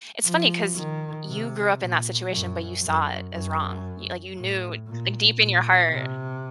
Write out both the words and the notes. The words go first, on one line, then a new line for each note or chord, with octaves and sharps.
it's funny 'cause y you grew up in that situation, but you saw it as wrong, y like, you knew, like, deep in your heart.
F3
D#3
C3
A#2
F#2
F#2
F#2
A2
A#2
A#2
C3